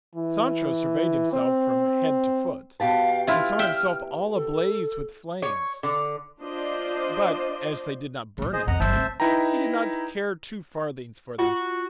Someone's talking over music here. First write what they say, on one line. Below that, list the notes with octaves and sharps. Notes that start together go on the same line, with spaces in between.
Sancho surveyed himself from head to foot and saw himself all ablaze with flames; but as they did not burn him, he did not care two farthings for them.
E3
C4
B2 G4 F5 A5
E4 F4 F6
E5 G5
A4
C#5
D3
D4 F4 C5 D5 D#5
B2 A#3
G#4 C5 D#5
F2 D#5 F#5 A#5
G1 F#3 C5 E5 A5
C#2 C4
D#4 E4 B4 G5 A#5
F4 F#4